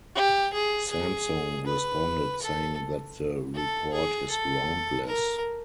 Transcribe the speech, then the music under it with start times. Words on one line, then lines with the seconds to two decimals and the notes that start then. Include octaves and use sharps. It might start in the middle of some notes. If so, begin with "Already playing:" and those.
Samsung responded, saying that the report is groundless.
0.16 G4
0.53 G#4
0.91 G#4
1.67 B4
2.42 A4
3.55 A4
3.93 G#4
4.31 A4
5.06 A#4